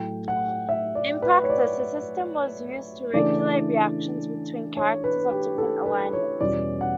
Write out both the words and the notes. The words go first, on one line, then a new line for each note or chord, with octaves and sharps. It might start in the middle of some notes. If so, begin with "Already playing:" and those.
In practice the system was used to regulate reactions between characters of different alignments.
Already playing: A2 F#3 A3 G5
F#5
E5
D5
B4
C#5
D5
C#3 E3 A3 D4 D5
C#5
B4
G4
A4
B4
C#5
E2 B2 G3 C#4 D5
F#5